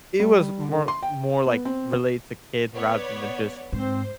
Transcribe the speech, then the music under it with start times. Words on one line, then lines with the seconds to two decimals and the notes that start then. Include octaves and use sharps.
it was more more, like, relate to kids rather than just
0.20 G3
0.69 D3
0.88 C6
1.03 G5
1.46 B3
1.65 C4
2.73 B3 C#5 D5
3.73 G#2 C4 C5